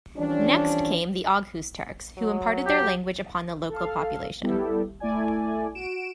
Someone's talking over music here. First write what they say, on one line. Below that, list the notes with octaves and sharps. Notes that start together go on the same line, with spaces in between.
Next came the Oghuz Turks, who imparted their language upon the local population.
E3 F3 G3 C#4 D4
F#3
G4
A4 F5
G3 B3 E4 G4 A4
A3 E4 D5 G#5
F#4 D7 E7